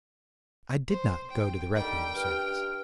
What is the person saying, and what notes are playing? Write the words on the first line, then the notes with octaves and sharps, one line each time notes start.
I did not go to the requiem service.
C5
G5
D3 D#3 G3 G5
G2 F6